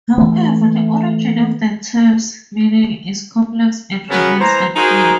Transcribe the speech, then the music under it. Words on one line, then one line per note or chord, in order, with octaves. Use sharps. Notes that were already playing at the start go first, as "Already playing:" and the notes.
However, the origin of the term's meaning is complex and remains unclear.
E3 A3
C#3 F#3 B3 C#4 A#4
E3 C5 A#5
D#4 F#4 G#4 A#4 C5